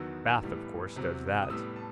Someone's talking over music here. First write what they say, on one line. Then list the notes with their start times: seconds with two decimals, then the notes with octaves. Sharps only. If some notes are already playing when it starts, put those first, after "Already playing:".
Bath of course does that.
Already playing: E2 D#3 F#3 B3 E6
0.43 A2 E3 G3 B3
0.96 E2 C3 F#3
1.42 D#6
1.50 A2 G3 B3 E6
1.76 A5